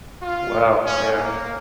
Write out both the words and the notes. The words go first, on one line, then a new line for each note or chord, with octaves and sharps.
Well, yeah,
F4
C#4
A#3